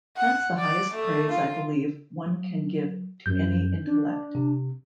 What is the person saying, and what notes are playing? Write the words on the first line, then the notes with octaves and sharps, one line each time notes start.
That's the highest praise, I believe, one can give to any intellect.
F#5
D5
A3
F4
F#3
F#2 G6
D4
C3